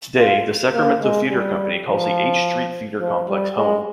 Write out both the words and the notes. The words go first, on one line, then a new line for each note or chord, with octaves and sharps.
Today, the Sacramento Theater Company calls the H Street Theatre Complex home.
F4
A#3
G#3
G3
F3
F3
G3
G#3